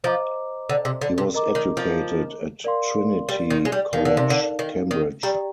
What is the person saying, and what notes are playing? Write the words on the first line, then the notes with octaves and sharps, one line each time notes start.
He was educated at Trinity College, Cambridge.
F3 C5 D#5 A#5 D6
D3
C3
D3
C3
A#4 D#5 A#5 D6
D#3
F3
A#4 D5 F5 C6
G3
D#3
G#3
G3
D#3 D#4 A#4 F5
D3
C3
D3
D#3
D#3
G3 G4 D5 G5 A#5